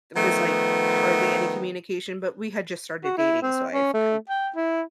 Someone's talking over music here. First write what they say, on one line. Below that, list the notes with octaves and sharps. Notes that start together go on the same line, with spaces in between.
was, like, hardly any communication, but we had just started dating, so I've cou
D#3 F3 A3 B3
F#4
E4
C4
C#4
A3
G5
E4